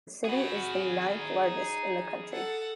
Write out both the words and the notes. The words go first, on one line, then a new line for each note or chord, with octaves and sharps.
The city is the ninth largest in the country.
F#4 G#4 F#5 B5
D#4
A4 F#5